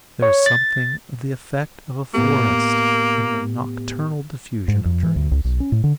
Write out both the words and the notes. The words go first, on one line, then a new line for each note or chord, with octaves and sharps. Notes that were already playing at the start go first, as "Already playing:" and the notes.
There is something of the effect of a forest in the nocturnal diffusion of dreams.
C#5
A6
A2 A#3 B3 G4
G#2
F2
E3
D2
C#2
B1
C#4
A2
D3